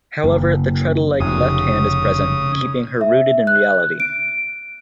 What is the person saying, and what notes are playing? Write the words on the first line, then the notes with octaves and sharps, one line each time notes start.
However, the treadle-like left hand is present, keeping her rooted in reality.
F#1
F1 C#3 D#6
E5
F#6
D7